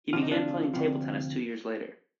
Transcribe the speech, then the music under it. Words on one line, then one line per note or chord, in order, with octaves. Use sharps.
He began playing table tennis two years later.
D2 C3 F3 F4
D#4
D4 F4
D2 C3 F3